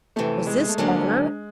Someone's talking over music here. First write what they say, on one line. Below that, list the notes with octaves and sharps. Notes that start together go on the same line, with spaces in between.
Was this honor?
F2 C3 E3 A3
G#3
A3
D2 D3 F#3 G#3 A#3 C#4